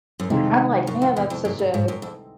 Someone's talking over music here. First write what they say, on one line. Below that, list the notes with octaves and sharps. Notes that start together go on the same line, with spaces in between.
I'm like, "Man, that's such a"
F#2
F2 C3 D#3 G#3 C4 D#4
F#2
F2
E2
F2
F#2
G2
G#2
F#2
F2